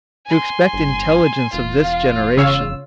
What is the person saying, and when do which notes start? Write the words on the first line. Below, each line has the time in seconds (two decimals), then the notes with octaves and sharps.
"To expect intelligence of this generation!"
0.26 G#5 C6
0.73 G1
1.53 E1 F4
1.84 F5
2.37 C#3 C#5 F5 E6